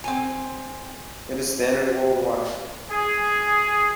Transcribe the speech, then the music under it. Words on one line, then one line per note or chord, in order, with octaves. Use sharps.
It is standard worldwide.
C4 G#5
G#4